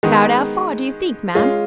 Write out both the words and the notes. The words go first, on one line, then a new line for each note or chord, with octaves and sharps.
"About 'ow far do you think, ma'm?"
D#3 G#3 B3
G#3 C#4 F4